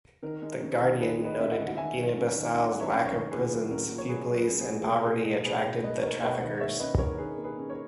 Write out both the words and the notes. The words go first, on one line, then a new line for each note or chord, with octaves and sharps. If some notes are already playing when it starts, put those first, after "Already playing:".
"The Guardian" noted Guinea-Bissau's lack of prisons, few police, and poverty attracted the traffickers.
D#3 A#4
G#3
C#4
D#3
D#3 G#4 B4
G#3
B4 D#5
C#4 E5
D#5 F#5
D#3
F#5
D#3 E5 G#5
F#3
C#4
D#3
D#3 D#5 F#5
F#3 F#5
C#5 E5
C#4
A#4 C#5
D#3
A#2 G#4 B4
F#3
C#4 A#4
A#2
C#5
A#2 G#4 B4
F#3
G#4 B4
C#4
G#4
A#2
G#4
B2 A#4
A#3 G#4
D#4
B2 G#4 B4
B2
A#3 B4 D#5
D#4 A#4 C#5
B2 B4 D#5
D#3 D#5 F#5
A#3 C#5 E5
C#4 B4 D#5
D#3 A#4 C#5
A#4
D#3 G#4 B4
A#3
G#4 B4
C#4
A#4 C#5